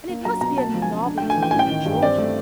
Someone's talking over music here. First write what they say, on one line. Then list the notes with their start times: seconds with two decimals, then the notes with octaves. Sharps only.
And it must be a novelty for Georgey.
0.09 A#3
0.25 F#3 A#5
0.41 B2 A#5
0.58 A#3 A5
0.74 F3
0.82 G#5
0.90 C#3
1.06 D4
1.18 G5
1.22 A3
1.30 G#5
1.37 E3
1.43 G5
1.51 A1 G#5
1.59 G5
1.70 D#3
1.86 G2
2.03 C4 D5
2.18 A3